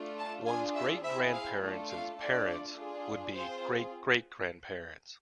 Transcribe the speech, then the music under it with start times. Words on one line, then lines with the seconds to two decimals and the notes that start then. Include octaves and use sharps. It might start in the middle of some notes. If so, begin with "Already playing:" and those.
One's great-grandparent's parents would be "great-great-grandparents".
Already playing: A3 D4 F4
0.18 A5
0.46 D4 F4 G#4 G#5
0.75 E5
1.03 C4 E4 G#4 E5
1.33 F5
1.61 A3 D4 F4 A4
1.90 F5
2.18 A3 D4 F4 D5
2.76 D4 F4 G#4
3.33 C4 F4 G#4 C5